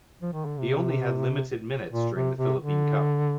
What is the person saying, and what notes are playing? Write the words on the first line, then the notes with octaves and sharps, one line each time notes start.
He only had limited minutes during the Philippine Cup.
F3
D#3
D3
C3
A#2
C3
C3
D3